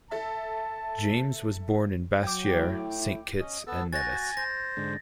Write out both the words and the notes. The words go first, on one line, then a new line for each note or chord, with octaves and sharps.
James was born in Basseterre, Saint Kitts and Nevis.
A4 E5 A5
F#3 G5 D6
A2
E4
C#4 D#5
B3 A4 A5 E6
F#4 G#5 A6 A#6
C5 A#6
G#2 D3